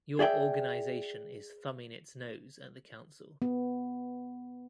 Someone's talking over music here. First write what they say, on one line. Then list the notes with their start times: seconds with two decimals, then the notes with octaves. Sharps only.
Your organization is thumbing its nose at the council.
0.19 G#4 D5 E5 G5
3.42 B3